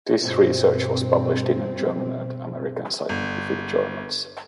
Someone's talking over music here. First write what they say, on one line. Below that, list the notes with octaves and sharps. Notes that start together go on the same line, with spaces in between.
This research was published in German and American scientific journals.
G2 B2 C4
G1